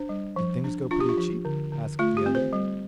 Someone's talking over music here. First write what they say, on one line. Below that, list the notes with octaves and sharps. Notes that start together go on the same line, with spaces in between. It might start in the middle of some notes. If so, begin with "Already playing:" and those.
'Did things go pretty cheap?' asked the other.
Already playing: D4 C5
G3
F3
D4
D4 F4
G4
F4
F3
D3
D3
A3 F4
G4
C4
C5
G3